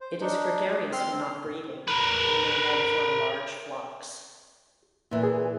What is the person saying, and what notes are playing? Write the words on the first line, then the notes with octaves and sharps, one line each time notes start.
It is gregarious when not breeding, and may then form large flocks.
C5
D4 D#4
C4 C6 F6
A#4 B4
A#2 E3
G#4